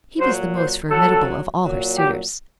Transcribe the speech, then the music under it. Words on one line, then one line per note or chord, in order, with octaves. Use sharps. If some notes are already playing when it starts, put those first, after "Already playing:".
He was the most formidable of all her suitors.
A#2 F#3 C5
C5
A#2 F#3 A4
A#2 F#3
G4